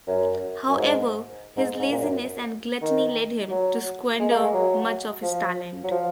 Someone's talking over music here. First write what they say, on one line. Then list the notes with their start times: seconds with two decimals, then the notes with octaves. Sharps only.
However, his laziness and gluttony led him to squander much of his talent.
0.07 F#2
0.69 F#2
0.76 G#2
1.56 G#2
1.79 G#2
1.91 A#2
2.02 F#2
2.82 D#3
3.51 F#3
4.19 G#3
4.31 A#3
4.42 G#3
4.53 F#3
5.22 F3
5.84 F#3
5.91 F3